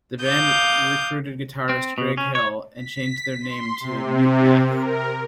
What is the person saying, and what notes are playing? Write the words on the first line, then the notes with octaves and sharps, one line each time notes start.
The band recruited guitarist Greg Hill and changed their name to Mutemath.
F5 D6 D#6 G6
C4
B2
C#4
C#5
B6
C6
C3
A#4